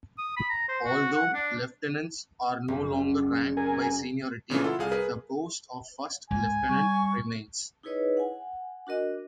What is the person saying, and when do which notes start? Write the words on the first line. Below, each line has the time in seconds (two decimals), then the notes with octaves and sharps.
Although lieutenants are no longer ranked by seniority, the post of "first lieutenant" remains.
0.18 D#6
0.37 B5
0.49 A#5
0.68 C5
0.85 F#4
1.12 F#5
1.34 D4
2.68 F#1
3.57 A#4 G#5
4.50 A#2 C#3 E3 A3
4.64 E4 F4 A4 F#5
4.79 C2 G3 G#4 F5
4.91 G#4 A#4 B4
6.30 C#2 G#2 G#5
6.69 G3 C#6
7.83 D#4 E4 G#4 B4 C#5 D#5
8.17 F#5 G#5
8.87 D4 F#4 A#4 D#5